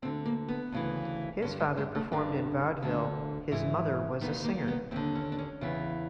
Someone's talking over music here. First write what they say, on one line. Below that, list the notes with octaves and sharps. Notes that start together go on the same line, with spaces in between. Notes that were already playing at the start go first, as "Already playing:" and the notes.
His father performed in vaudeville; his mother was a singer.
D2 D3 C4
A#3
B3
D2 C#3 E3
G2 D3 C#4
G#3
G#3
A3
G2 D3 D4
D2 D3
G#2 E3
D#2 D#3 B3
A#3
B3
D#2 D3 C4
C#4
D4
C#4
E2 C#3 E3